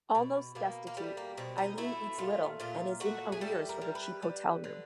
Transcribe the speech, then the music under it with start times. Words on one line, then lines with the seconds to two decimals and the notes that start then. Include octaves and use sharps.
Almost destitute, Eileen eats little and is in arrears for her cheap hotel room.
0.15 B2
0.55 B2 A#3
0.87 A#3
0.97 G3 A3
1.17 A#3
1.37 B2 C4
1.58 D#4
1.78 A3 E4
2.18 A#2 F4
2.60 A#2 F4
3.00 A3 F#4
3.32 G#4
3.41 G3 A4
3.69 A#4
3.82 G3
3.95 B4
4.22 G3
4.64 D3